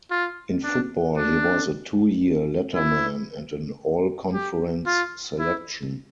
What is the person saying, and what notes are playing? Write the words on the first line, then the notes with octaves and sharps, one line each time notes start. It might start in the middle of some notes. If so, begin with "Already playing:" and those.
In football, he was a two-year letterman and an All-Conference selection.
F4
D4
D4
E4
G4
F4
E4